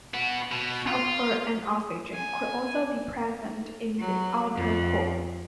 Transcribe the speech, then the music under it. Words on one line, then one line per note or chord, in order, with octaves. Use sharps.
Sulfur and oxygen could also be present in the outer core.
B3 F#4
B2
F4
G#5
F#3
F2